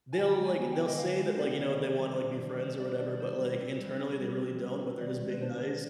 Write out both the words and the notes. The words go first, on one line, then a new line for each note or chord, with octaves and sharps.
they'll, like they'll say that, like, you know, they wanna like be friends or whatever, but, like, internally they really don't, but they're just being nice.
G#5
D3 G5
G#3
G#5
B3
G5
D3
D#5
D3 F5
G#3
C5
B3 D5
D3
D#3
G3
D4
D#3
D#3 C5
G3 D5
D4 D5
D5
D#3 C5
G3
C4
G3
C4
G3
C4
G3
C4
D#3 D5
G#3
B4
D4 C5
D#3